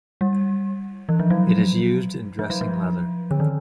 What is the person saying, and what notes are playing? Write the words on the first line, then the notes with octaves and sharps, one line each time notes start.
It is used in dressing leather.
G3
E3
F3
F#3
F3
F#3
F3
D3
D#3